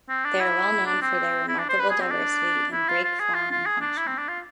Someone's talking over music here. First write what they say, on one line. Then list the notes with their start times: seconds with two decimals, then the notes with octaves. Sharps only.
They are well known for their remarkable diversity in beak form and function.
0.09 C4
0.25 D4
0.40 E4
0.86 D4
1.02 C4
1.49 E4
1.59 D4
1.69 C5
1.80 B4
1.90 G#4
2.01 C4
2.11 D4
2.73 E4
2.88 F4
3.04 F4
3.20 G#4
3.35 F4
3.51 F4
3.66 G#4
3.81 D4
3.97 E4
4.07 C4
4.18 D4
4.28 F4